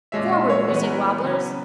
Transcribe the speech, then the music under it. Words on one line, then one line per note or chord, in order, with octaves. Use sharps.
Forward, woozy wobblers!
A#2 G#3 C#4 E5
D#5
C#5
E3 G#3 B3 C#5
B4
A#4
B4
C#3 F#3 B3